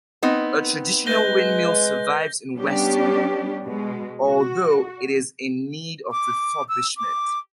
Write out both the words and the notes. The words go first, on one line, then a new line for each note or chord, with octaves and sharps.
A traditional windmill survives in Weston, although it is in need of refurbishment.
B3 C4 D#4
G#3 B4 G6 A#6 G7
G3 B3 C#4 D4 G4
B2 G#3
F#4
D6
E6
D6